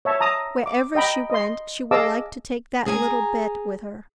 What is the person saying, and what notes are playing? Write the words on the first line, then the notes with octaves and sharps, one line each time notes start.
Wherever she went she would like to take that little bed with her.
C#5 E5 A5
A5 A#5 D#6
D6
D#5 G5 A#5 B5
D#5 C6
G#4 D#5 F5 A5 D6 E6
G#4 G#5 A#5